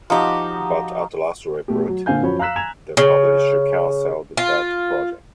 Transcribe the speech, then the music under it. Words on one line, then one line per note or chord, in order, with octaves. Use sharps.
But at last report, the publisher canceled that project.
F3 D#4 F#4 G4
B2 A3 G4
F#3
A#2 D3 C4 F5 G#5 G6
F#2 F3 F#4 C#5 B5
F5 A#5 E6 F#6 B6 E7
G#5 A#5 G#6 E7 F7
C#3
F4